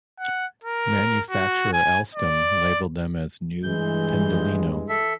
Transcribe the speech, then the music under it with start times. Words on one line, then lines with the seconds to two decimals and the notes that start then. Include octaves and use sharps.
Manufacturer Alstom labeled them as "New Pendolino".
0.20 F#5
0.64 A#4
1.31 F#4
1.73 G#5
2.15 D5
3.64 G2 E3 G#3 G6
4.89 A4 E5